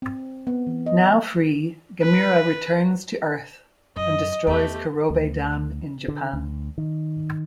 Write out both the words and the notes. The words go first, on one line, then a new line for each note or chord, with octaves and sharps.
Now free, Gamera returns to Earth and destroys Kurobe Dam in Japan.
C4
B3
E3
D#5
B4
F#2 D#5
E2 A3 G4
D2
D3
D2
D#3